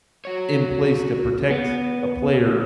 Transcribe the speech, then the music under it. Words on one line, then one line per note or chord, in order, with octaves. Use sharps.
in place to protect a player,
F#4 C#5
B3